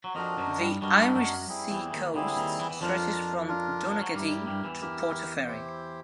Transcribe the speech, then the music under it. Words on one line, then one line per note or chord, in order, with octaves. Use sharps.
The Irish Sea coast stretches from Donaghadee to Portaferry.
F#3
F2 F3 D4 F#4 A#4 D#5
F#2 F#3
G2 G3
G2 G3 D4 F#4 A#4 D#5
F#2 F#3
G3 C4 E4 G#4
E2 E3
D#2 D#3
D2 D3 G3 C4 E4 G#4
D#2 D#3
E2 E3
E3
F2 F3 D4 F4 A#4
D4 F4 A#4
F3
F#3
G2 G3 E4 G4 A#4
G2 G3
G2 G3
E2 E3
E4 G4 A#4
E4 G4 C5